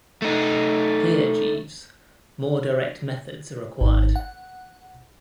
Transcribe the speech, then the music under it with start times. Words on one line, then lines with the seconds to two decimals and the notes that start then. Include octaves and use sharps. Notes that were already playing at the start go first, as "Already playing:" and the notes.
Here, Jeeves, more direct methods are required.
0.22 A3 D#4
3.81 G#1
4.16 F#5